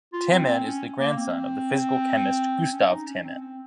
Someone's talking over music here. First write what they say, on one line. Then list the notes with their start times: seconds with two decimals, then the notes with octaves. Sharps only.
Tammann is the grandson of the physical chemist Gustav Tammann.
0.13 F4
0.30 C4
0.47 C4
0.65 C#4
1.00 A#3
1.17 C4
2.72 C#4
2.89 D#4
3.07 C#4
3.23 C4
3.40 C4